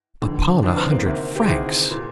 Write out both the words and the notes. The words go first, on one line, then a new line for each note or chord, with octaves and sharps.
"Upon a hundred francs!"
F1 F2 D3
F1 F2 D3 D4
C4
A#3
D2 C3 D#3
G4
D2 C3 D#3 G#4
A#2